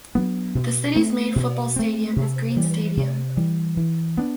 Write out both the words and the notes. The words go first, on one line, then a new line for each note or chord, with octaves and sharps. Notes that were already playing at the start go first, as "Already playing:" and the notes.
The city's main football stadium is Green Stadium.
F#3 B3 D4
B2
A3 C4
B2
A3 C4
C3
E3 G3
C3
E3 G3
E3
B3 D4